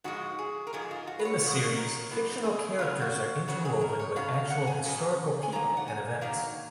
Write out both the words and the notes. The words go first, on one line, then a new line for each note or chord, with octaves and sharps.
In the series, fictional characters are interwoven with actual historical people and events.
G#2 F3 G#3 F#4
G#4
A#4
G#2 F3 G#3 G#4
F4
F#4
B4
C#5
G#2 F3 G#3 F#4
A#4
G#2 F3 B4
G#4
C#3 F#3 B3 F4
F#4
C#3 F#3 B3 F#4
G#4
A#4
C#5
C#3 F#3 B3 F5
F5
F#5
G#5
C#3 F#3 B3
G#5
D#3 F#3 A#3 A#5
F#5
G#5
D#3 F#3 A#3 F5